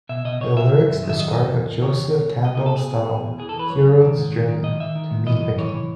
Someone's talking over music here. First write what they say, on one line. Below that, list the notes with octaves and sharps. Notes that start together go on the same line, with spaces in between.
The lyrics describe a Joseph Campbell-style "hero's journey" to meet a king.
B2 E5
B2 D#5
B2 C#5
B2 E5
C#2
F#2
D#3
E5
F#2 D#5
F#2
E2
E2
D#3 C#5
E2
B2
C#2
C#2 D#5
D#5
B2
A4
B2 G#4
B2
B2
E2
E3 G#4
A4
E3
B4
F#2 C#5
F#2
D#3
G#2
D#3
D#3
G#2 D#5
D#3 E5
D#3
G#2
E3 D#5
F#2
E3 C#5
E3